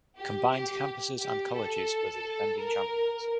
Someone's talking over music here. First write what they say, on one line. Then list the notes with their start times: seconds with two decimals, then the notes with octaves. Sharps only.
Combined Campuses and Colleges were the defending champions.
0.17 G4
0.52 G4
1.21 G4
1.55 A4
2.58 A#4